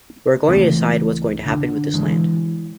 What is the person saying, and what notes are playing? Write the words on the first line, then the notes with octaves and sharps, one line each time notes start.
We're going to decide what's going to happen with this land.
C#2 E3 A3 C4
D3
E3 G#3